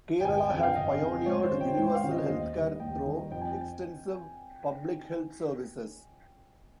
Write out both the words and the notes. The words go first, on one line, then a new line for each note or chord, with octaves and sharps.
Kerala had pioneered Universal health care through extensive public health services.
G5
G1 G#5
G5
F2 C#3 G5
F5
G1 D#5
F2 C#3
G#2 C#5
C5
D#3 G3 C#4 F4
G5
G#2 G5
F5
D#3 G3 C#4 F4
D#5
D#2 D#5
D#3 G3
D#2 G5
D#3 G3
F2 G5
G#5